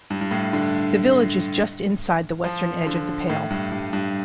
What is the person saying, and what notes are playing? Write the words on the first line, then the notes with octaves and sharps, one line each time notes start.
The village is just inside the western edge of The Pale.
G2
G2
A2
D3
F3
D3
A2
G2
G2
G2